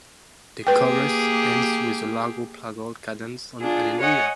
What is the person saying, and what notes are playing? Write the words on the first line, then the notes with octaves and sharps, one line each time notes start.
The chorus ends with a largo plagal cadence on "Alleluia".
A#3 G4 G#4 B4 G5
D4 F4 G#4
C#5 D#5 F#5 G#5